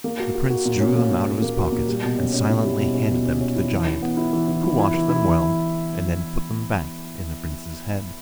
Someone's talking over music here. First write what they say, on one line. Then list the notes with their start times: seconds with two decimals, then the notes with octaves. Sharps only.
The prince drew them out of his pocket, and silently handed them to the giant, who washed them well, and then put them back in the prince's head.
0.04 A#3
0.19 F#4
0.35 F#4
0.50 F#4
0.65 A#2
0.80 C#4
0.96 A#3
1.11 A#2
1.27 C#4
1.42 A#3
1.57 F#4
1.72 A#2
1.87 G3
2.03 B2
2.19 C#4
2.33 C#4
2.49 E4
2.64 G3
2.79 B2
2.94 C#4
3.11 B2
3.25 C#4
3.41 C#4
3.56 E4
3.71 E3
3.87 E3
4.02 B3
4.17 E4
4.33 E3
4.48 E3
4.63 E4
4.79 E4
4.94 E3
5.09 E4
5.24 E3